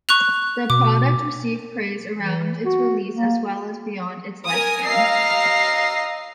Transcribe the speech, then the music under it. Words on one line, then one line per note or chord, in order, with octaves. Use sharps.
The product received praise around its release as well as beyond its lifespan.
C#6 F#6 F7
B2 D6
E3
F#4
A#3
A#4 G#5 D#6
D#5 F5 A#5 E6 C7